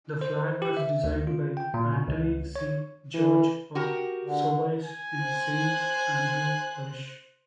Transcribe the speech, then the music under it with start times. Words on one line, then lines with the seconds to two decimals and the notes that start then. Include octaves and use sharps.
The flag was designed by Anthony C. George of Soubise in Saint Andrew Parish.
0.21 C5
0.62 G4
0.77 E5
1.04 D2
1.27 F4
1.57 G5
1.74 A#2
1.93 B2
2.08 C#2
2.56 C#5
3.14 E3
3.75 F#4 G4 A#4
4.25 D3
4.85 G#5
5.20 C5 F#6